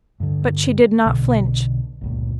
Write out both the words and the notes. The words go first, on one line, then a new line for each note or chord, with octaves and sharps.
But she did not flinch.
G2 D3
B1 B2 D3
G1 C#2 A#2